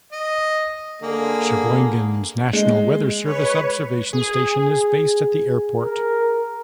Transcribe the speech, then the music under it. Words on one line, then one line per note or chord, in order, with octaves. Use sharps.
Sheboygan's National Weather Service observation station is based at the airport.
D#5
D3 A#3 G#4
G#3
B4 C#5
G#4
A#4